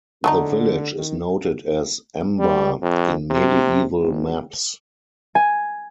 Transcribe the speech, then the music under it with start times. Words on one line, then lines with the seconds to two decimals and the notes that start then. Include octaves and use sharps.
The village is noted as 'Emba' in medieval maps.
0.24 D3 F#3 A3 D#4
0.97 D#3
2.39 G3
2.82 F2
3.31 C3
4.00 G#1
5.35 G#5